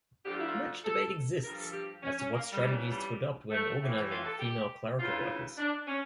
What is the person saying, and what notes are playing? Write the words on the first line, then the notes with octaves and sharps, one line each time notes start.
Much debate exists as to what strategies to adopt when organizing female clerical workers.
D2 D3 F3 G4
F4
E4
F4
A4
G2 F3 A#4
A4
G4
C#4
C#4
A#3
G3
F2 C#3 E3 G3
G3
A3
A2 E3
F4
A4
G4
D2 C#3 E3 F4
D4
C#4